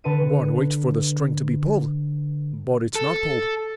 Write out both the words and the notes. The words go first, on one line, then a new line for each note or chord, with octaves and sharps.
One waits for the string to be pulled, but it's not pulled.
D3 B4 A5 C#7 D#7
A4